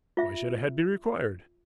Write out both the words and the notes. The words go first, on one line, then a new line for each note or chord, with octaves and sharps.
Why should a head be required?
F4 E5